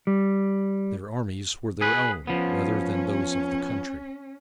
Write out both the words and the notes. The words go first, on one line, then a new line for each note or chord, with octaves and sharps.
Their armies were their own rather than those of the country.
G3
G#4 B4
F3 B3 C#4